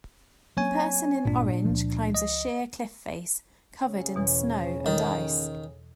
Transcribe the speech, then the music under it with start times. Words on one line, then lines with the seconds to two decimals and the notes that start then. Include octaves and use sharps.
A person in orange climbs a sheer cliff face covered in snow and ice.
0.57 F#3 A#3 C4 C#4 C#5 G#5
1.25 G#1 G2 A#2 C4 D4
1.65 C#2 F3
2.15 D#5
3.84 C#3 C#4
4.15 E2 B2 E3
4.86 D#3 A4 D#6